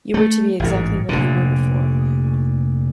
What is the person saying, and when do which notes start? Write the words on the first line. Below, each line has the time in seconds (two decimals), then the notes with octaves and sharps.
You were to be exactly what you were before.
0.14 A3
0.60 A1 G#2
1.09 F1 A#2 D3